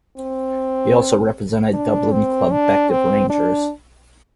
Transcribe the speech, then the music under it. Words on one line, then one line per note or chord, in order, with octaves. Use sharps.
He also represented Dublin club Bective Rangers.
C4
D4
C4
D4
C4
D4